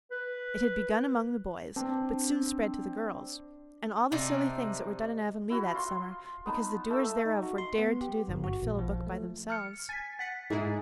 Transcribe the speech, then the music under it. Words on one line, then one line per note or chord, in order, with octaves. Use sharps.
It had begun among the boys, but soon spread to the girls, and all the silly things that were done in Avonlea that summer because the doers thereof were "dared" to do them would fill a book by themselves.
B4
C4 D4
C3 D#4 D5 A5
E4 F#4
F4 C6
B3 D#4 A5
A3 E6
D#4
F#4
C6
B3
G4
G1
F#4
A#1
F3
A3
F6 C#7
G#5 A6 B6
F#5 A6 B6
G#2 D#4 E4 G#4